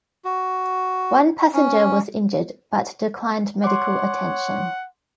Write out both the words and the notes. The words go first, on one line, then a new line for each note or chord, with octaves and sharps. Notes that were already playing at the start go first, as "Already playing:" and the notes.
One passenger was injured, but declined medical attention.
F#4
C#4
C#5 F#5 C6 D6